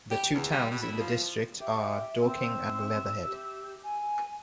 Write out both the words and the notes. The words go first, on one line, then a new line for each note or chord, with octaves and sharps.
The two towns in the district are Dorking and Leatherhead.
G4
E2
G3
B2
E4
F3
G4 E5
C4 E5
G4
G#5